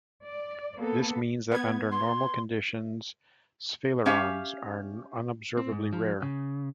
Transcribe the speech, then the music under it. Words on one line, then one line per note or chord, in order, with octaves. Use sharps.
This means that under normal conditions sphalerons are unobservably rare.
D5
A#3 B3 A4
B3 G#6
C6
C#4 G4 E5 F5 G#5
C4
G#2
F3
C#3